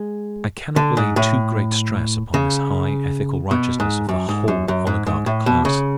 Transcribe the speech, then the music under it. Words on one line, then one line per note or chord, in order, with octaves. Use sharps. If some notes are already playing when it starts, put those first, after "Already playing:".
I cannot lay too great stress upon this high ethical righteousness of the whole oligarch class.
Already playing: G#3
D3
G#2
A2
C#3
B2
G#2
F#2
G#2
F#2
F#2
G#2
G#2
A2
B2
C#3